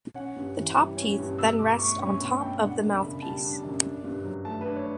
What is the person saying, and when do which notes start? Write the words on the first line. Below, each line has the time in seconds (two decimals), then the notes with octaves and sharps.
The top teeth then rest on top of the mouthpiece.
0.15 C#4 F#5
0.36 G2
0.57 E3
0.77 G3
0.97 C#4
1.18 G2
1.38 B2 E6
1.58 B2 D6
1.79 A3 C#6
2.00 C#4 C#6
2.20 B2 B5
2.40 B2 G5
2.61 D4 F#5
2.82 F#2
3.01 C#3 B5
3.22 G3 A5
3.43 D4
3.63 F#2
3.83 D4
4.04 G2
4.24 F#3
4.45 A3 A5
4.61 B4
4.66 D4
4.76 C#5